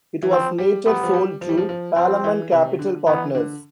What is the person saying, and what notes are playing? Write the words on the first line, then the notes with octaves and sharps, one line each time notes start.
It was later sold to Palamon Capital Partners.
E3
F3 C4
G3
G3 B3
F3
G3
F3
G3
F3
F3
F3 C4
E3
C3
D3
E3 B3
D3